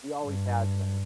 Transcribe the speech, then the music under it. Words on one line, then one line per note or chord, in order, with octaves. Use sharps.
He always has been.
G2